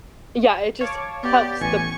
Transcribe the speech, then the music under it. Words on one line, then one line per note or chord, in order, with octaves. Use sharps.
Yeah, it just helps the
C#5 F5 A5 D6
B3 G4 D5
A1 G#5 C#6